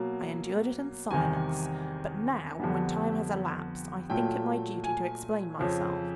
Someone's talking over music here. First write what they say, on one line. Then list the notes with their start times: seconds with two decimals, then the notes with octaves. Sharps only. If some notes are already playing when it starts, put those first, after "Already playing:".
I endured it in silence, but now when time has elapsed I think it my duty to explain myself.
Already playing: B2 F#3 A#3
1.11 E2 C3 D#3 G3 G#5
2.60 F2 D3 G3 B3
4.09 A#2 F#3 A3 G5
4.84 G#5
5.59 F2 C#3 F3